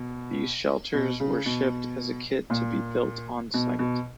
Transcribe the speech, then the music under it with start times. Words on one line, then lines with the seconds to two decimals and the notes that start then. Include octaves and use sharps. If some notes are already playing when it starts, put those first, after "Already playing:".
These shelters were shipped as a kit to be built on site.
Already playing: B2
0.94 B2
1.20 C#3
1.46 B2
2.50 A#2
3.54 B2
3.79 B2